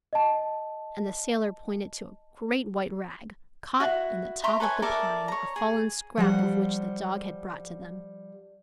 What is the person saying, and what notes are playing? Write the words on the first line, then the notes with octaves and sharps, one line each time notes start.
And the sailor pointed to a great white rag, caught in the top of the pine, a fallen scrap of which the dog had brought to them.
D#5 A5
E4 F#4
E5 A#5 C6 C#6
A4 B4 C#5 G#5
A4 A#4 D5 E5
C#5 A#5
G#4
F3 G3 F#5